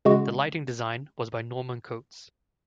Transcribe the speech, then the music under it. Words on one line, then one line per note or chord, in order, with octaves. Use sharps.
The Lighting Design was by Norman Coates.
C#3 G#3 F#4